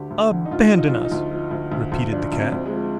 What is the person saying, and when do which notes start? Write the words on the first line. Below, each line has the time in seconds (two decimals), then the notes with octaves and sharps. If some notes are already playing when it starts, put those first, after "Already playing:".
"Abandon us," repeated the Cat.
Already playing: D2 D3 G4
0.11 D2
0.32 D3
0.45 D#4
0.51 D2 F4
0.72 F3
0.78 D#4
0.86 F4
0.91 F3 D#4
1.04 D#4
1.12 D2
1.31 F3
1.51 D2
1.72 D2
1.92 D2
2.12 F3 D4
2.32 D2
2.39 C4
2.52 D2
2.66 G#3
2.73 F3